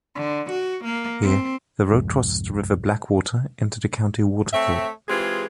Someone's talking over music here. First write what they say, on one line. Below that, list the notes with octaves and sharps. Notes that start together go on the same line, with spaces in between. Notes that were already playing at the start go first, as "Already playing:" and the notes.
Here the road crosses the River Blackwater into County Waterford.
D3
F#4
A#3
C4
C2 F2 G#2
A3 C4 C#5 E5
E3 G#3 C4 F4 G4 G#4